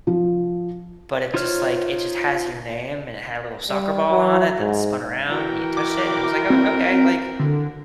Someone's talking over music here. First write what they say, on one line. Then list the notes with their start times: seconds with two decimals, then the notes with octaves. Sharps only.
But it just, like, it just has your name and it had a little soccer ball on it that spun around when you touched it. And it was like, "Oh, okay, like,
0.07 F3
1.34 D#4 F4 C5 C#5 F6
3.70 G3
4.10 F#3
4.60 G#2
5.27 E3 F#4 A#4 G5
5.77 D6
6.50 C4
7.39 D3